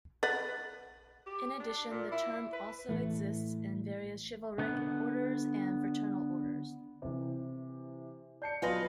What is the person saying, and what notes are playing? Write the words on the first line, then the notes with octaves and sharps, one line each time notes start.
In addition, the term also exists in various chivalric orders and fraternal orders.
B4 F#5 A6
G4
D4
A#2
E4
B4
A2 E3 A3
D3 B3
C3 E3
D5 A5 G6 C7 C#7
B1 F4 B4 D5 D#5 G#5 A#6